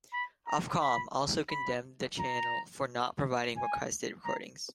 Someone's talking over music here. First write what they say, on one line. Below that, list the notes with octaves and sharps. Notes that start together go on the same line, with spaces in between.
Ofcom also condemned the channel for not providing requested recordings.
B5
A#5
B5
B5
A#5
G#5
A#5